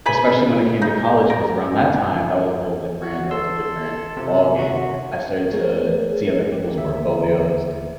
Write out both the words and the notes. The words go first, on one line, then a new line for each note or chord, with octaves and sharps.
Especially when it came to college, 'cause around that time, that was a whole different that was a different ballgame. I started to see other people's portfolios,
G#4 B4 B5
D#4
A#4
F#4
A4 C6 E6
C3 F4
F#4
A3 G#4 A#4 C#5
G4
D#2 D3 E5